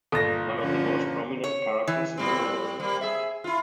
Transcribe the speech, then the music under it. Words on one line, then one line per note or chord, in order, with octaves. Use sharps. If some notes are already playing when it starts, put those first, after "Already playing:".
One of the most prominent characters in the novel.
G1 A#2 A4 A5 A#5 A#6
D3 F3 C#4
C#5
E3
A2 G3 C4
G3 A#3
G#4 E5
E4 F4